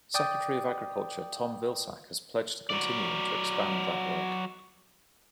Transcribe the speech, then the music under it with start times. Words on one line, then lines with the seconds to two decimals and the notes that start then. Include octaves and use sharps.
Secretary of Agriculture Tom Vilsack has pledged to continue and to expand that work.
0.14 D5 G5 D#6
2.70 F#3 D5